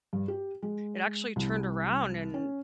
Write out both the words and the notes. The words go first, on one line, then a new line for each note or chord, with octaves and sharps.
it actually turned around and
G2
G4
G#3
C2
C#4